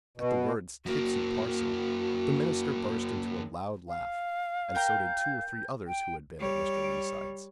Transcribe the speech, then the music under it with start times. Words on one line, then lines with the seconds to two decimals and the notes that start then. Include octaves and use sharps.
At the words "tipsy parson," the minister burst into a loud laugh, and so did two or three others who had been at Mr. Reeside's.
0.17 B2
0.86 F#2 A#3 F#4
3.88 F5
4.75 A#4 G5 A#5 G6
5.87 G5
6.39 G3 C#5